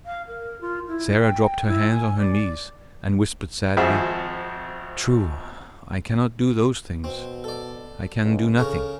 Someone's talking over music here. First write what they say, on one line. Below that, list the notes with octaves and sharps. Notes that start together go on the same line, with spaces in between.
Sarah dropped her hands on her knees, and whispered sadly, "True, I cannot do those things--I can do nothing."
F5
A#4
F4
E4
G5
E4
G#5
D5
G#1 F2 F#4 G#4 C5 E5
B2 C4
A4 D5
C#2
C#3 C#4 A4 A#4